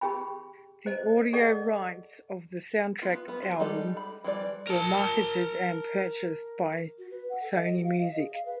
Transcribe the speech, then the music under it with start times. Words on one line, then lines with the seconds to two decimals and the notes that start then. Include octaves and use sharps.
The audio rights of the soundtrack album were marketed and purchased by Sony Music.
0.01 G4 G#4 G5 B5
0.86 C5 D#5
1.33 G#4 A4 D5 D#5 F#5
3.02 B3 F4
3.28 B3 B4
3.42 F#4 C5
3.60 G3 G#3 D#4 A4
3.97 B5
4.24 E3 F3 G3 D5
4.67 A#4 A5
6.98 F#4
7.11 B4
7.30 F#5
7.43 A4
7.55 D#5
7.72 F#4
7.84 F5
8.01 D#5
8.17 G#4
8.33 F5
8.45 B4